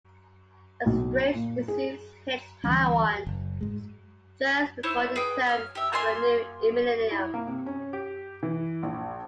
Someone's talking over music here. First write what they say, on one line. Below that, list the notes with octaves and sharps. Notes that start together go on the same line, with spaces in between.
A strange disease hits Taiwan just before the turn of the new millennium.
B1
A#2
G#4
D2 E3 G3 C#4
F#1
G#2 G#3
E4 C5 C#5
G#4 B4 G5
C#5 F6
G4 E5
A#3 F4 G#5 C6
E4
A#3
C3
C#4
G4
E3
A#1